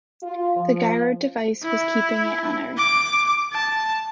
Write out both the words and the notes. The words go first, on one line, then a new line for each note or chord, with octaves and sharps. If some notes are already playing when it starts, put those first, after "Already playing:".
The Gyro device was keeping it on Earth.
F4
F3
E4
D6
A5